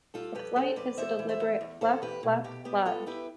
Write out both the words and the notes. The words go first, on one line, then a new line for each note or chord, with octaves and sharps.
The flight is a deliberate "flap-flap-glide".
G3 F4 A4
F2 G4 B4
C4 A4 C5
F2 B4 D5
E2 C5 E5
E3
C5 E5
E2
E2
E2 A4 C5
E2 G4 B4
B2
B2 G4
B3 G4
B3 F4 A4
E4 G4 B4